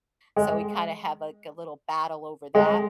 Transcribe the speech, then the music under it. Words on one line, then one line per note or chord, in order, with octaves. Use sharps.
So we kind of have, like, a little battle over that
G#3
G#3